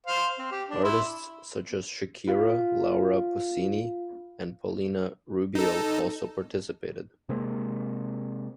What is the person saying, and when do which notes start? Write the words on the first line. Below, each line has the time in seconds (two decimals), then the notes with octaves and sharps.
Artists such as Shakira, Laura Pausini and Paulina Rubio also participated.
0.07 C5 F5
0.39 C4
0.51 G4
0.69 D4
0.84 E4 C6
2.28 F4 F5
5.55 D#4 A4
7.29 C3 G#3 A#3 C4